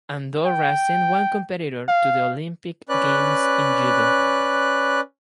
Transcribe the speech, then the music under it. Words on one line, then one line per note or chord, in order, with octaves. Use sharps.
Andorra sent one competitor to the Olympic Games in Judo.
G5
F5
C#4 B4 D5 F#6